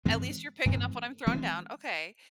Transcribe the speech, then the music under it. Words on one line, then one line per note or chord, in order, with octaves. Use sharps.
at least you're picking up what I'm throwing down, okay.
G2 E3 G#3 C4
G2 E3 G#3 C4
E3 G#3 C4